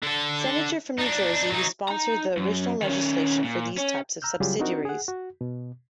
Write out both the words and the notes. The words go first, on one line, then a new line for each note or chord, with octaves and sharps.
Senator from New Jersey who sponsored the original legislation for these types of subsidiaries.
D3 A4
D4 D#4
F#3 D#4
D#4 A#5
F#2
D#3 C#4
A#2
C#4
A#5 E6 F6 G6
C#3 F#3 G3 F4 G4 G#4
C4 D4 D#4 F#4 A#4
G#4 F#5
F#4
B2